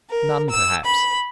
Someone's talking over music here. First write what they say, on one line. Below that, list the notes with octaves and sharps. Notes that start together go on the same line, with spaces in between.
None, perhaps!
A#4
E6
B5